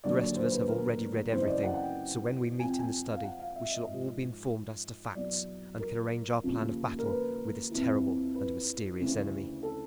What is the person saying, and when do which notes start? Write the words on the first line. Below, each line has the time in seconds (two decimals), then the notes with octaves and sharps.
The rest of us have already read everything; so when we meet in the study we shall all be informed as to facts, and can arrange our plan of battle with this terrible and mysterious enemy.
0.04 D#2 D3 F#3 D5
0.20 C#5
0.36 C5
0.52 B4
0.68 A#4
1.32 F#2 C#3 E3 C5
1.42 D#5
1.48 D5
1.63 F#5
1.74 F#5
1.80 G5
2.59 F2 C3 F3 G#5
2.69 G5
2.79 G#5
3.13 F5
3.24 F#5
3.39 F5
3.56 E5
3.71 D#5
3.88 G#2 F3
5.15 E2 B2 F#3 D5
5.80 A#4
6.43 D#2 C#3 F3
6.99 A#4
7.07 B4
7.71 F2 C3 E3
8.35 B4
8.99 D2 C#3 E3
9.63 A4